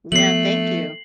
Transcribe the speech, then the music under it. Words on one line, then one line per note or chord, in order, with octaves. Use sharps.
Yeah, thank you,
F3 A3 B3 C7 F#7